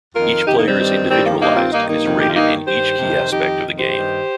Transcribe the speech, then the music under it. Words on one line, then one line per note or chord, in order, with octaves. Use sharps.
Each player is individualized, and is rated in each key aspect of the game.
F2 D#3 F4 A#4
F2 C3 D#3 D#4 G4
A#3 D#4
G3 C4
G2 D#3
G2 D#3 G3 C4
F3 A#3
G2 D#3 A#3 D#4
C4 F4
G2 D#3 A#3 D#4
A#3 D#4
F2 C3 D#3
G4
F4
G2 D#3 A#3 D#4
G2 D#3 G4 C5
F2 C3 D#3
F2 D#3 D#4 G4
F2 D#3
G4 C5
G2 D#3